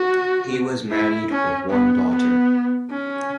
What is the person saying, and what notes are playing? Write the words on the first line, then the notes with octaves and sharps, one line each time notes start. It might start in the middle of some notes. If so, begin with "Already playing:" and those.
He was married with one daughter.
Already playing: F#4
E4
C#4
B3
B3
C#4